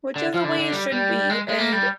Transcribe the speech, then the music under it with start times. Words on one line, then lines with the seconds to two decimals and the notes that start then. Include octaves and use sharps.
Which is the way it should be, and
0.16 D3
0.34 F3
0.44 D3
0.59 D3
0.72 G3
0.92 G3
1.30 G#3
1.48 G#3
1.58 A#3
1.72 G3